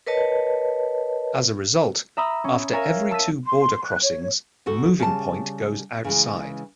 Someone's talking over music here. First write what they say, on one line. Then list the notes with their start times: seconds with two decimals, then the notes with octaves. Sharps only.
As a result, after every two "border crossings" the moving point goes outside.
0.07 A#4 B4 C#5 D#5 A5
2.17 E5 A#5 B5 D#6 E6
2.44 C#4
2.73 A#4 C#5 E5 F5 G#5
3.11 A5 E6 B6 D#7
3.45 C6
3.85 F#6
4.02 C#5
4.66 D2 F#4 A4
5.00 C#3 G3 A5
6.04 C#3 E3 G#3